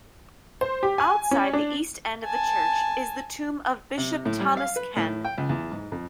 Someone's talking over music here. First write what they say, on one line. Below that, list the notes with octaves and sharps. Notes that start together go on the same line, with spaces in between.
Outside the east end of the church is the tomb of Bishop Thomas Ken.
C5
G4
G#5
C#4
D4
G#5 A5
C3
A2
G3
F5
B4
A2
G5
C#2
E2
G#2
F2